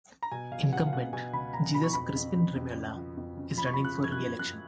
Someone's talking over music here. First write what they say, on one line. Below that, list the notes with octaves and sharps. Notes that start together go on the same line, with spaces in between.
Incumbent Jesus Crispin Remulla is running for reelection.
A#5
B2 G#5
B2 F5
B2 F#5
F5
B2 F#5
B2 G#5
C#2 B5
B2 A#5
B2 B5
C#6
F2 B5
F2
C#3
F2
C#3
F3
F2
C#3
F3 B5
C#6
B5
F3
F#6
F#2
G#6
F#6
F3
F3 F#6